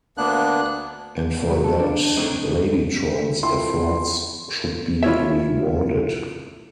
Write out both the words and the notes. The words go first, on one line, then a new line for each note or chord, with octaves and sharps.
And for that, Ladytron's efforts should be rewarded.
D2 A#3 B3 D4 F#6
C2 G#2 F#3
A4
D4
F#2 A2 D3 C4 D#4
B1
E4 F4 E5 G5 A5 C6
E4 F4 C#5 E5